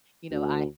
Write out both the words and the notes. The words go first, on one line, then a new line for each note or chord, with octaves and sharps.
you know, I
D2